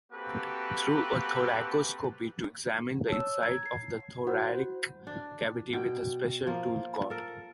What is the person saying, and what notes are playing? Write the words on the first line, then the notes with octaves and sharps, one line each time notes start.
Through a thoracoscopy to examine the inside of the thoracic cavity with a special tool called.
A#3 C4 F#4 G4 A4 B4
C#5 A5 E6
A#5 G#6
C7
E4 F#4 C5 F#5
D4
B2 G5
F3 A#3
A4 A#4